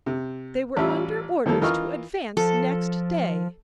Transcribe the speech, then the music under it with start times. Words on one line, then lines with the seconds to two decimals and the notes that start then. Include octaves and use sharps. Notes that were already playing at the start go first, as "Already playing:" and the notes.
They were under orders to advance next day.
0.06 C3
0.77 A1 G3 C#4 F4 E5
1.46 D#3 F3 G3 A#3 A4
1.61 E3 F4 A#4 D#5 C#6 F6
2.37 F3 A4